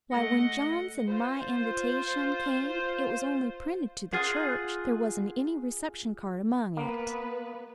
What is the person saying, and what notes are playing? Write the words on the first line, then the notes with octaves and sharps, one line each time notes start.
Why, when John's and my invitation came it was only printed to the church--there wasn't any reception card among it.
A3 D#5 F#5
F4 C5
F4 G#4 F#5
A#3 B3 B4